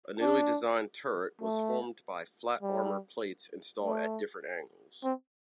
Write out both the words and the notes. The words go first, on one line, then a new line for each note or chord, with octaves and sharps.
A newly designed turret was formed by flat armour plates installed at different angles.
D4
A3
G3
A3
C4